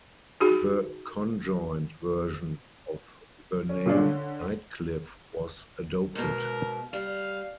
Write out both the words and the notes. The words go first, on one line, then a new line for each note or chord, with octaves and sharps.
The conjoint version of the name, "Nightcliff" was adopted.
D#4 F#4 G#4
C#4
A#2 C#3 D4
D3
G#2 B2 A#4
G3 F5